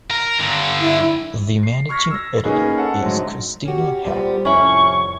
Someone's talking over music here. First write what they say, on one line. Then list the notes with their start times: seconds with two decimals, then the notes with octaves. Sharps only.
The managing editor is Kristina Hacker.
0.11 A#4
0.41 G2 D3
0.80 E4
1.63 C7
1.89 C#6 F6 G#6 A#6 B6
2.10 E6 A#6
2.44 A#3 B3 C#4 D#4 G#4 B4
2.77 A4 C#5 F#5 A5
3.00 G#2 D3 F#3 A3 C4
3.65 C#4 F#4 G4
4.05 A#2 G3 B3 G4 C5 D5
4.45 C2 F2 A2 C#4 E4 C#6